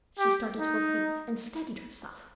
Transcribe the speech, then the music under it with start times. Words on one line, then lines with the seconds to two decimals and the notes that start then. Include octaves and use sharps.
She started to her feet, and steadied herself!
0.19 G4
0.59 D#4